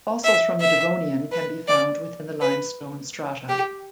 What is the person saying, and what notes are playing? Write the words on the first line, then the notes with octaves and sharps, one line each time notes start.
Fossils from the devonian can be found within the limestone strata.
E5
E5
B4
D5
B4
G4